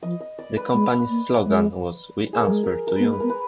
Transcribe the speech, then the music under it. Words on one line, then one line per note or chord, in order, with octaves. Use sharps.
The company's slogan was We answer to you.
F3 D#5
D#5
D5
B4
G#3
A#3
G#3
G#4
A#4
F#3
G#3
A#4
A#4
B3 B4
A#3 A#4
B4
B3 A#4
B4